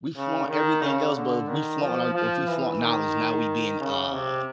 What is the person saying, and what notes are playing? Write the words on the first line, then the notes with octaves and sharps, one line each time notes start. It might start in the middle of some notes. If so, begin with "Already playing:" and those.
we flaunt everything else, but if we flaunt our if we flaunt knowledge, now we being, uh
C#3
D#3
C#3
D3
D#3
F3
F3
E3
D#3
C#3
C3